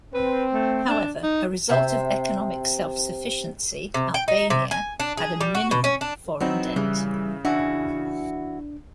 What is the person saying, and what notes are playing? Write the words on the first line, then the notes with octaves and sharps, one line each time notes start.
However, a result of economic self-sufficiency, Albania had a minimal foreign debt.
C4 B4
A3
D4
D#4
C3 C5 E5
C3
G5
D#4
C3
G#5
D4
G#4
G3
F#4
B2
C#4
D4
F#3 B3 C4 D#4 E4
C#3 E3 G3
E3 D4 E4 F#4